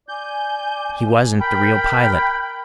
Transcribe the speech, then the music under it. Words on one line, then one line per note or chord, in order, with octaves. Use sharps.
He wasn't the real pilot.
D5 G#5 G6
A#4 G5 B5 G6